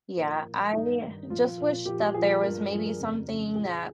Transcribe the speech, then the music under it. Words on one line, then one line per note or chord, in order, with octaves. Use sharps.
yeah, I just wish that there was maybe something that
A#2 F3 A#3
A#2 F3
G2 D#3 D#4
G2 D#3
A#2 F3 F4
A#2 F3
A#2 F3 G4
G4
A#2 F3 G#4
G2 F3 A#4
G2 F3 G#4
A#4
F2 C#3 F3
F2 C#3 F3
A#2 F3 G#4